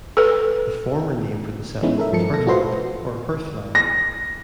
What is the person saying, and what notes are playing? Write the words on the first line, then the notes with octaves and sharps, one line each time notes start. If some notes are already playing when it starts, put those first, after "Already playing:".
The former name for the settlement was "Hurtlanth" or "Hurthland".
A4 B4
E3 G#3 B3 C#4 D#4 E4
A4 A#4 E5
G2 F3 A4 C#7
B2 A4 A#6
F4 F#4 A4 B4 C5 C6
A#6